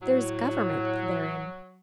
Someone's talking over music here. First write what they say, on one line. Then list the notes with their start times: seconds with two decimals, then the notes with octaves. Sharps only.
There is government therein.
0.02 A2 F#3